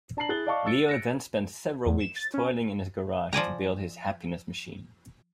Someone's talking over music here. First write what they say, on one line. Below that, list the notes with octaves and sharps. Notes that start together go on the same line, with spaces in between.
Leo then spends several weeks toiling in his garage to build his Happiness Machine.
D4 A5 A#5 C7 F#7
E4 G#4 F#6 A6 G7
D5 D#5 F5 A5 C#6 D6
E6 A6 C#7 D7
A#6 C#7 D7
E2
E7
A6
C#4
F3 D5 G#5 A#5